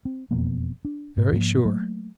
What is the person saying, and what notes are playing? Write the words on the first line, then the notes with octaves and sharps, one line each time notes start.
"Very sure!"
C4
E1 F2 B2 A#3
D4
G#2
G#2 F3 A#3
F#3 A3 A#3